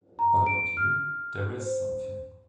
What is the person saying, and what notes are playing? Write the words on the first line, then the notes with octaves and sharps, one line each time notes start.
But about you — there is something.
A#5
D7
F6
C5